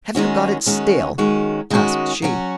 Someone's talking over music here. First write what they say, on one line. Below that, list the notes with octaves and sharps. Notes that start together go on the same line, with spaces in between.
'Have you got it still?' asked she.
D#3 G#3 C#4 F#4
D#3 G#3 C#4 F#4
D#3 G#3 C#4 F#4
D#3 G#3 C#4 F#4
F#3 C#4 F#4